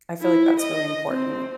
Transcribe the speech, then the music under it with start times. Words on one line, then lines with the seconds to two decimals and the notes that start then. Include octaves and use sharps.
I feel, like, that's really important.
0.21 E4
0.59 D#5
1.09 C4